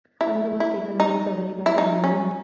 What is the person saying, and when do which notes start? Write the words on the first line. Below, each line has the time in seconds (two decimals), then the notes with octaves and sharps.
Another was taken away suddenly by a terrible wind.
0.21 E4
0.60 E4
1.00 D#4
1.66 E4
1.78 D#4
2.04 C#4